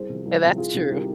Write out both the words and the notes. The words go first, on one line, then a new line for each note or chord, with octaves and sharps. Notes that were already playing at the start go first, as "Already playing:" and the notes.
and that's true.
Already playing: C2 G#4 C5
C3 F3
C2
C3 F3
C2 F4 G#4
C3 D#3
C2 G4 A#4